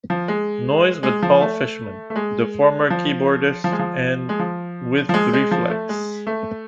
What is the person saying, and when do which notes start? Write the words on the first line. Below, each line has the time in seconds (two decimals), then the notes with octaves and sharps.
Noise with Paul Fishman, the former keyboardist with Re-Flex.
0.10 F3
0.28 G#3
1.03 G#3
1.23 F3
1.41 A3
2.10 A3
2.16 G#3
2.90 F3
3.64 F3
3.72 G#3
3.79 F3
4.29 G#3
4.39 F3
5.09 F3
5.14 G#3
5.33 G#3
5.51 F3
5.70 A3
5.89 G#3
6.27 A3